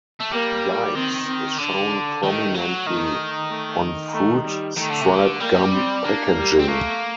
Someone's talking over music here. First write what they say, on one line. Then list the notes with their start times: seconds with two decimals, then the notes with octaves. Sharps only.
Yipes is shown prominently on Fruit Stripe gum packaging.
0.20 A3
0.31 G3 A#3
0.95 D#3 C4
1.27 C4
1.58 D3 D4
2.23 D#3 A3
2.54 F#3
2.86 D#3 A3
3.49 A3
4.14 A3
4.45 G3
4.76 D#3 A3
4.90 D3
5.01 C3
5.14 D3
5.41 G3 A#3
5.72 C4
6.05 A#3 D4
6.36 G3
6.59 C4
6.68 A3 A#3